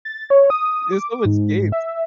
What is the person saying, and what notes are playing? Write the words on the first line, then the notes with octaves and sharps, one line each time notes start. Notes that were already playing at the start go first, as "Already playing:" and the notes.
There's so much games.
A6
C#5
D#6
D6
G#2
E5